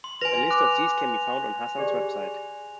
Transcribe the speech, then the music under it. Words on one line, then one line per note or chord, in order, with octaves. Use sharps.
A list of these can be found on Hassan's website.
C6
F#4 B4 G#5 A#6 F7
D6 F#6
G4 G#4 D5